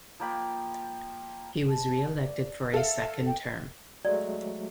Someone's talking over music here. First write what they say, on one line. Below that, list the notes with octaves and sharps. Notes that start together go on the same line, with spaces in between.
He was reelected for a second term.
F3 A#3 G5 B5
A5
D5
A4 E5 F5
G5
F#3 G#3 A3 D5